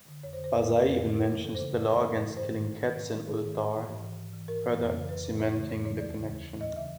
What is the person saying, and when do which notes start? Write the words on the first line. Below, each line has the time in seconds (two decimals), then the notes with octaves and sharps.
Barzai even mentions the law against killing cats in Ulthar, further cementing the connection.
0.08 D3
0.23 F2 C#5
0.33 C5
0.39 D3
0.44 C5
0.54 F2 B4
0.70 D3
0.85 F2 A#4
0.99 D3
1.14 F#2 A#4
1.30 C#3 E3
1.45 F#2 A4
1.55 C5
1.61 C#3 E3
1.75 F#2 D5
1.90 C#3 E3
2.05 F#2
2.21 C#3 E3
2.36 G#2 C5
2.51 D#3
2.66 G#2
2.81 D#3
2.97 G#2
3.12 D#3
3.27 G#2 G#4
3.42 D#3
3.58 G#2
3.72 E3
3.88 G#2
4.03 E3
4.18 G#2
4.33 E3
4.48 G#2 A#4
4.64 E3
4.79 F2
4.94 C#3 E3
5.09 F2 B4
5.24 C#3 E3
5.40 F2 C#5
5.54 C#3 C#5
5.58 E3
5.69 F2 C#5
5.85 C#3 E3 C#5
6.00 D#2 D5
6.16 C#3 E3
6.30 D#2
6.46 C#3 E3
6.61 D#2 D#5
6.76 C#3 E3 E5